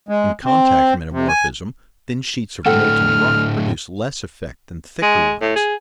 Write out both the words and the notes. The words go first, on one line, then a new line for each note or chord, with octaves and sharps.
In contact metamorphism, thin sheets of molten rock produce less effect than thicker ones.
G#3
C4
C3
G#5
A2 D3 A3 A4 F#5 G5 F6
G#3
A2
G#4